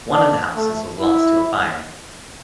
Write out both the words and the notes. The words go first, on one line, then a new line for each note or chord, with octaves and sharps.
One of the houses was lost to a fire.
D4
A3
E4